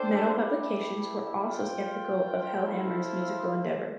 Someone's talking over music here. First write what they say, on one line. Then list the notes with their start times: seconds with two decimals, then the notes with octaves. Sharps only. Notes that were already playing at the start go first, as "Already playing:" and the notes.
Metal publications were also skeptical of Hellhammer's musical endeavor.
Already playing: D4 A4 C5 G5
0.33 A3 E4 G4 B4 E5
1.46 F4 C5 G5
2.61 E4 A4 C5 F5